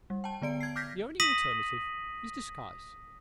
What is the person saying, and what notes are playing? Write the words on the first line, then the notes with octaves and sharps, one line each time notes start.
The only alternative is disguise.
G3
G5 A5
D3 B3 D5 D7
G#6 C7
D6 F6 G6 A#6 B6
D#6 A#6 B6 D#7 F#7